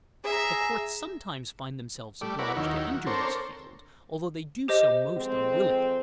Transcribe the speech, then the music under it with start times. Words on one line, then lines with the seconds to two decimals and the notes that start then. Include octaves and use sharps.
The courts sometimes find themselves obliged to enter this field, although they do so most unwillingly.
0.25 G#4 E5 A#5
2.21 G3 A3 D5
2.39 E4 A#4 B4 C#5 D5 F#5
2.56 D#2 D#3 F#3 E4
2.89 F#4
3.07 C4 D4 A4 A#4 C5 C#5
4.68 G4 C5 D#5
5.16 F2 G#3 C4